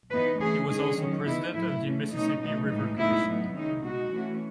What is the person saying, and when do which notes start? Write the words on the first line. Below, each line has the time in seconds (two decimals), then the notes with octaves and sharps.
He was also President of the Mississippi River Commission.
0.11 E3 B3 D#4 B4
0.40 E3 A3 C#4 G#4
0.69 D#3 G#3 C#4 G#4
0.97 D#3 F#3 C#4
1.26 E3 B3 D#4 E4
1.54 A2 F#3 A3 E4
1.83 E3 A3 C#4
2.12 B2 A3 C#4 D#4
2.41 B2 F#3 A3 D#4
2.69 A2 E3 G#3 D#4
2.98 A2 G#3 B3 D#4 E4
3.26 A2 F#3 B3 D#4
3.55 D#3 G#3 C#4 D#4
3.83 B2 G#3 D#4 F#4
4.12 E3 A3 C#4